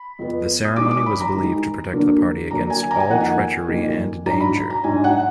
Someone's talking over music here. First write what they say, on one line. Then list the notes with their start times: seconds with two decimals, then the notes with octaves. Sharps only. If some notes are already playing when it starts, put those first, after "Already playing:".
The ceremony was believed to protect the party against all treachery and danger.
Already playing: B5
0.19 F2 F3 B3
0.65 D#6
0.76 D#3 G#3 D#4 D6
0.91 D6
1.06 B5
1.21 A#5
1.35 D#3 G#3 D#4
1.93 D3 F#3 A#3 D4
2.51 D3 F#3 A#3 D4 A#5
2.70 G#5
2.91 A#5
3.00 G#5
3.09 F2 D#3 A#3 F#5
3.20 G#5
3.68 F2 D#3 A#3
4.26 G#2 F#3 D4 A#5
4.40 B5
4.70 A#5
4.84 G#2 F#3 D4 G#5
5.04 F#5